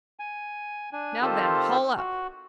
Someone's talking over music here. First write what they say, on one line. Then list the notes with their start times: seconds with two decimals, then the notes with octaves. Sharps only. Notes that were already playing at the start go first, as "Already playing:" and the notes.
Now, then, haul up.
0.20 G#5
0.93 D4 G#5
1.22 D#3 C4 F4 G4 A4 C5
1.98 F#4